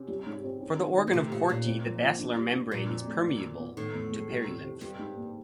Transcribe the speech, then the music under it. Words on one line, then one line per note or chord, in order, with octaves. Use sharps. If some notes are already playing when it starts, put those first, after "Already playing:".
For the organ of Corti the basilar membrane is permeable to perilymph.
Already playing: C3 C#4
G3
G#2
C4
C#4
D#3
D#3
C#3
C3 A3
A#2 C#3
A#2 C#4
C4
F3
F3
D4
G3
F#4
A#2 F3
F2
A3
F#3
F#2
B3
A2 D#3
E2
G#3
G3
C3
C4
G2 G3
G#2
A#3